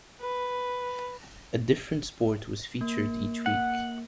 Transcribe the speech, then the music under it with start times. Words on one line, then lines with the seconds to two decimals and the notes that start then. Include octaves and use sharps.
A different sport was featured each week.
0.21 B4
2.81 A#3
3.46 F#5